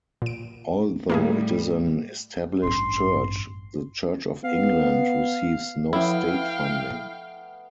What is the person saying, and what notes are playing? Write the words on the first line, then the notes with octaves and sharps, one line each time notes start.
Although it is an established church, the Church of England receives no state funding.
A#2 D7
A2 G3 A#3 E4 G#4
A1 G2 C6
B3 F5
F3 A3 B3 E4 F5 G5